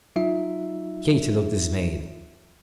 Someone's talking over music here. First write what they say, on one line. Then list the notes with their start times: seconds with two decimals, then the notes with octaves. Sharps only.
Katy looked dismayed.
0.16 F#3 D#4 F4 E5